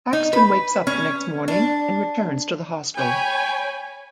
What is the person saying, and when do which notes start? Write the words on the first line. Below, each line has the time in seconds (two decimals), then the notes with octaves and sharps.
Paxton wakes up the next morning and returns to the hostel.
0.13 D#4
0.33 B4
0.87 C#4
1.48 D4
2.98 C#5 G5 G#5 B5